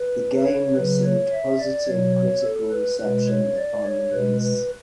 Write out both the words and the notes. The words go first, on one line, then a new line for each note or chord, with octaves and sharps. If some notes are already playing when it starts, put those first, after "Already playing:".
The game received positive critical reception upon release.
Already playing: B4
C#5
C#3 F#3 B4
C#5
E5
D5
B2 F#3 C#5
C#5
A4
B4
B2 G#3 B4
C#5
D5
C#5
B2 G#3 B4
B4